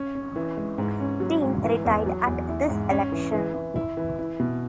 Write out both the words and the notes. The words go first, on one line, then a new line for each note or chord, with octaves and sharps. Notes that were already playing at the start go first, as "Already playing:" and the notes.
Dean retired at this election.
Already playing: C#4
C#4
E3
G#3
G#2
C#4
F#3
G#2
E3
E2
F#3
E2
E4
G#2
C#4
E3
E3
E3
E4
E3
E4
B2